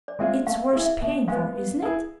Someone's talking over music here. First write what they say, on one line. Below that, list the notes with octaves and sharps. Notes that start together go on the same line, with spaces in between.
It's worth paying for, isn't it?
D5
G#3 C4 F4 G#4 E5
A3 F5
E4 G#4
E5
B2 E5
G#3 B3 F5
B3
E4 G#4